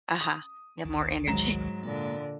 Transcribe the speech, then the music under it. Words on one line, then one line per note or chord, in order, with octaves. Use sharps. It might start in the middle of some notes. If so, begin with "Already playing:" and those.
Uh-huh. You have more energy.
D#6
A1 D2 D#3
G#2 F#3 A#5 E7
A#2 D3 A#3